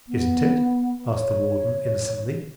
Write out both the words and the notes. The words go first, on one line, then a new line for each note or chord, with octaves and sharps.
"Isn't it?" asked the warden, innocently.
B3
C#5